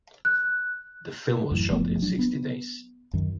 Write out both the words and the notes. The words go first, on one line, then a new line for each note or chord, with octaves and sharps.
The film was shot in sixty days.
F#6
F#2 A2 E3
F#1 F3 A3 B3
F#3 D4
B3
F#2 D#3